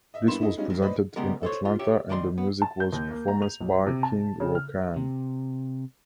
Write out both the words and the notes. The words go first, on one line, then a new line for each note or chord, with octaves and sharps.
This was presented in Atlanta and the music was performance by King Rokan.
D#5 E5
G2 A#3 B3 E4 C6 E7
D#4 E4 A4 D#5
G3 G#3 C#4 D#4 F4
A#1 G2
B4 C5 D5 D#5 B5
C#3 G3 G#3 B3 A#4
A4 C5 C#5
F4
G4 C#5 E5
D#3 D5 D#5 A#5 C6
B3
A5
G6
D#2
A#3
A#5
F7
B1
C3
A5
C#3
F6
C3